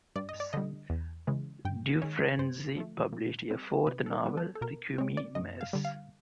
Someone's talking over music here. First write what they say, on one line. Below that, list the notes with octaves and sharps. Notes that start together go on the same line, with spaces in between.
Dufresne published a fourth novel, Requiem, Mass.
G2 D5
D#5
D5
D3 G3 D#5
E2
C#3 E3 G#3
G2 G5
D#3 G#3 C#4 C#5
G2 C5
D3 F3 A3
A#2
G3 C4
C3 B4
A4
A#4
E3 G3 B3
A4
A4
B2 A#4
G#3 C4 C#5
D5
F#2 D#5
F5
D3 G3
F5